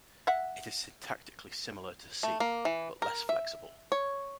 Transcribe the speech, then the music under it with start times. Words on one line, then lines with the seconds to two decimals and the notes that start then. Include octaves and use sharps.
It is syntactically similar to C, but less flexible.
0.27 E5 F#5
2.23 A3
2.40 A#3
2.65 E3
3.02 A#4
3.29 E5
3.92 C#5